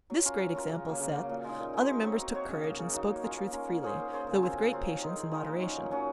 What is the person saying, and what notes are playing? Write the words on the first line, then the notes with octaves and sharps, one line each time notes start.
This great example set, other members took courage and spoke the truth freely, though with great patience and moderation.
F#3
C#4 F4 A#4
F#3
C#4 F4 A#4
C#3
F#3 A#3
C#3
F#3 A#3
A#2
G#3 D#4
A#2
G#3 D#4
F#3
C4 F#4 C#5
F#3
C4 F#4 C#5
C#3
F#3 A#3 D#4
C#3
F#3 A#3 D#4
A#3
C#4 F4 A#4
A#3
C#4 F4 A#4
A#3
C#4 G#4 C5
A#3
C#4 G#4 C5
C#3
F#3 C4 F4
C#3
F#3 C4 F4
D#3
G#3 D#4
D#3
G#3 D#4
A#2
F#3 C#4 F#4
A#2
F#3 C#4 F#4